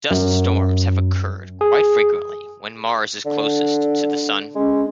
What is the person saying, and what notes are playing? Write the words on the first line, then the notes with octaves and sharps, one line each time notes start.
Dust storms have occurred quite frequently when Mars is closest to the Sun.
F#2
G#4
D3
G#3 C#4